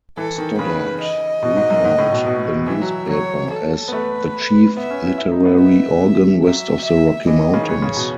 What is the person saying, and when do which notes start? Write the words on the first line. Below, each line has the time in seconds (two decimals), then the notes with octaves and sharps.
Stoddard recalled the newspaper as "the chief literary organ west of the Rocky Mountains".
0.17 E3 A4
0.38 D#3
0.59 C#3 B4
1.01 D#5
1.43 B2
1.56 G#2
1.71 F#2
1.84 G#2
1.98 A2
2.12 B2
2.26 B2
2.68 E3 E5
2.81 F#3
3.09 F#3 C#5
3.52 A4
3.88 B3
3.92 A3 B4
4.77 B3 E5
4.90 C#4
5.05 E4
5.18 E4
5.32 D#4
5.45 B3
5.60 E5
6.43 F#3 E5
6.85 E5
7.27 E3 D#5
7.54 C#3
7.61 D#3
7.68 E3 C#5
7.82 C#3
7.97 B2